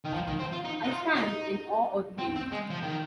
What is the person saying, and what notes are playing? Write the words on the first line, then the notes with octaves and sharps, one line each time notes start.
I stand in awe of him.
D#3
F3
D#3
C4
F4
D#4
D#4
F4
D#4
C4
C4
G#3
F3
D#3